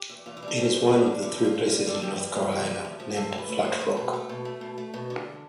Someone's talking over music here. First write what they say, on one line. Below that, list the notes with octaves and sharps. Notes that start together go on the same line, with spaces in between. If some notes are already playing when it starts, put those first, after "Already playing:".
It is one of three places in North Carolina named Flat Rock.
Already playing: G4
E2
E2 F4
E4
G3
D4
B2 C4
E2
E2 D4
G3
D3 E4
G2
F4
G2
G3 F4
D3 G4
A4
G2 G4
G2
G3
C3
D2
A3
F3
C3 A4
D2
B4
A3
C5
F3
A3 B4
B2
A3 A4
B2
A3
B2
A3
B2
D3